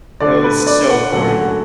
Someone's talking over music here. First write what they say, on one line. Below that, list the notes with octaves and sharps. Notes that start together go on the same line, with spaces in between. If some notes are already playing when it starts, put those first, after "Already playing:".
It was so corny.
D3 A3 D4 D5
B4
D5
F#5
D3 F#3 A3 C#4 F#5